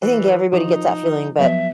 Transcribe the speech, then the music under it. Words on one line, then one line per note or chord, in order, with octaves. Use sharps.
I think everybody gets that feeling, but
E3
F3 D#4
F3 F#3 B3 B4 E5